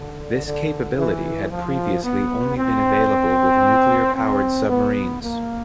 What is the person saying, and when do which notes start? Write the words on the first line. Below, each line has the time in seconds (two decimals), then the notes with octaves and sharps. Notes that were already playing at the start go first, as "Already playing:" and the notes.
This capability had previously only been available with nuclear-powered submarines.
Already playing: D3
0.45 D3
0.97 E3
1.50 F3
2.03 B3
2.56 C4
4.15 C4
4.69 B3
5.22 A#3